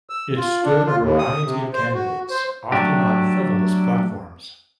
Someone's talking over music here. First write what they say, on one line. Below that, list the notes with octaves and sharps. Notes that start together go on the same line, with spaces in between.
It stood a variety of candidates, often on frivolous platforms.
E6
F4
D4
F4
D#2
D#6
C3
C5
F#4
C5
F#3 A3 D4 G4